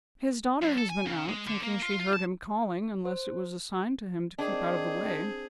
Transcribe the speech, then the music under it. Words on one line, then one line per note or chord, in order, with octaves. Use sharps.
'His daughter has been out, thinking she heard him calling, unless it was a sign to him to keep out of the way.
F#2
A4
G#5
C#3
G#3
D3
A#3
F4
F4
A5
C5
D#3 C4 D4 G#4